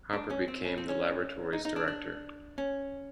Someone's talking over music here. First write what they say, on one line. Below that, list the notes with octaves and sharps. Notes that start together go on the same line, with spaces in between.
Hopper became the laboratory's Director.
D4
C#4
C4
C#4
C4
C#4
D#4
D#4
D4
D4
C#4